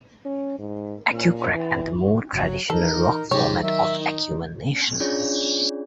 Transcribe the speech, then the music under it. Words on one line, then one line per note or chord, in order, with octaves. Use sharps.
Acucrack, and the more traditional rock format of Acumen Nation.
C#4
G#2
A#2
E3
G1 C#3 F#3
E3 D#4 A4 A#4
G#2 C3 F#3 C#4 G4 C#5
D#3 F#3 E5
D#4
C#4 D4 F4 G#4 C#5 D5